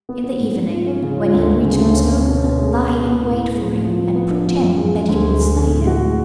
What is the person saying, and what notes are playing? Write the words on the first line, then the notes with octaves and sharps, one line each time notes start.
In the evening, when he returns home, lie in wait for him and pretend that you will slay him.
B3
B3
G#2
G#2
F4
C#4
C#3
F4
D2
D2
C#3
D2
C#4
C#4
B2
B2
G#3
B3
B2
B3
A2
A2
G#3
A2
F3
F3
B3
D4
F3
F#2
G#3
G#3
D2
G#3
G#3
D3
A2
F#4
G#3